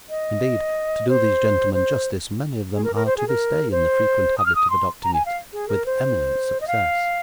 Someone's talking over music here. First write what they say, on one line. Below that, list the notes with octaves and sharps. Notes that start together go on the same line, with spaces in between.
Indeed, to do these gentlemen justice, many of them are to this day in the frequent habit of adopting it, with eminent success.
D#5
C5
C5
G#4
A#4
A#4
C5
G#4
A#4
C5
D#6
F6
D#6
C6
A#5
G#5
F5
G#4
A#4
C5
D#5
F5